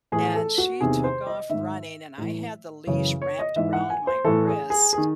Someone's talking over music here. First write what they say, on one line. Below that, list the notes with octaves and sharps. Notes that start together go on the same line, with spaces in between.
and she took off running and I had the leash wrapped around my wrist,
A2 E3 G#4
A4
F#4
E2 C3 D#3 G#4
C5
D#5
G#2 D#3 E5
A2 E3
F#2 C#3 E3 C#5
C#5
D#5
G#2 E3 E5
F#5
G#5
C5
A2 E3 A4
G#4
G#4
D#3 G#4